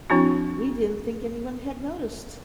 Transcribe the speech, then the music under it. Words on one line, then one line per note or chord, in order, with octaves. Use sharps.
We didn't think anyone had noticed.
F3 C4 D4 E4 F#4